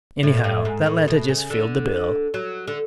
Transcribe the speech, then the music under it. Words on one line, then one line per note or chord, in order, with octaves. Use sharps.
Anyhow, that letter just filled the bill.
A2
A2
G#2
A2
B2
C#3
D3
F#3
D3